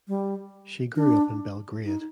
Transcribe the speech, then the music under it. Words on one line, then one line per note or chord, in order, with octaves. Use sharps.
She grew up in Belgrade.
G3
D4
D#4